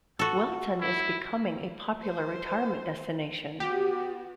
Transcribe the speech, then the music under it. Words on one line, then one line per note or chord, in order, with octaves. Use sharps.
Wellton is becoming a popular retirement destination.
F#4 A4
E4
C5
B3 F#4 G4